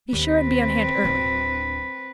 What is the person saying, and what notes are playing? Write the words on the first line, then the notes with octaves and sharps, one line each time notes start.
"Be sure and be on hand early."
D#2 C4 B4
D1 D4